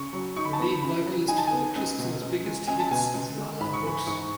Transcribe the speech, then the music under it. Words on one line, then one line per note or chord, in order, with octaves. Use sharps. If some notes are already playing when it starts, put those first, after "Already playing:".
The lead vocalist for The Crystals' biggest hits is La La Brooks.
Already playing: C#3 C#6
F#3
D#4 C#6
B5
A5
B3 B5
C#3 B5
F#3
D#4 G#5
A5
G#5
B3
C#2
B2
C#2
G#3
C#2 G#5
A5
B2 G#5
C#2
G#3
G#2 B5
C#6
E3 B5
G#2 C#6